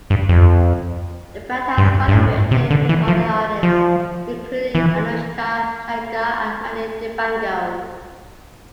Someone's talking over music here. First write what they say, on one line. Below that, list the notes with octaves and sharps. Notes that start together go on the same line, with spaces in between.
The band has collaborated with other artists, including Anoushka Shankar and Manu Dibango.
G2
F2
G2
G2
A2
C3
D3
E3
F3
F3
E3